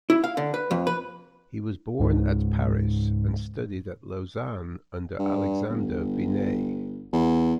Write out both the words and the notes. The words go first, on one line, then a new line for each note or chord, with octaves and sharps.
He was born at Paris, and studied at Lausanne under Alexandre Vinet.
E4
F5
D3
B4
F2
B4
C#2 G#2
G2
G1
E2